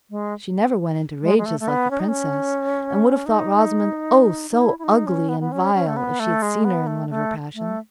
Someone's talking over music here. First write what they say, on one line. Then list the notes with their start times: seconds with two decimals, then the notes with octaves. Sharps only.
She never went into rages like the princess, and would have thought Rosamond--oh, so ugly and vile! if she had seen her in one of her passions.
0.10 G#3
1.22 G#3
1.38 G#3
1.46 A3
1.60 A3
1.68 B3
1.90 C#4
1.99 D#4
2.08 C#4
3.26 D#4
4.50 D#4
4.61 E4
4.79 E4
4.84 D#4
5.07 C#4
5.29 B3
5.40 B3
5.52 C#4
5.74 C#4
5.87 A3
5.96 B3
6.19 A3
6.42 G#3
6.64 B3
6.87 A3
7.10 A3
7.55 A3